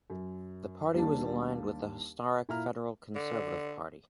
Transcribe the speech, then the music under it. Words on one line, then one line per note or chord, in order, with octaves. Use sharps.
The party was aligned with the historic federal Conservative party.
F#2
D#2 G3 A#3 D4 A5
A#2 E4 A#5 F6
D3